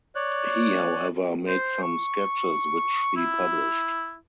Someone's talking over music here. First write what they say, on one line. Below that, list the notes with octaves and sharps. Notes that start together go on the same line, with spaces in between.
He however made some sketches which he published.
C#5 D5 F#6
C5
C#6
E4